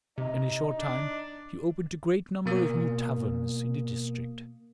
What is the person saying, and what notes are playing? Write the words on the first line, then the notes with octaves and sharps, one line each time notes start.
In a short time he opened a great number of new taverns in the district.
C3 D#4
D4
B2 A#3 D#6